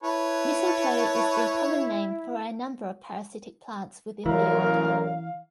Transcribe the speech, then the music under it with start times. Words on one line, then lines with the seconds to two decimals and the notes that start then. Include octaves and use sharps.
Mistletoe is the common name for a number of parasitic plants within the order.
0.03 E4 B4 C#5 A5
4.26 A1 F#2 A#2 E3 A#4 F5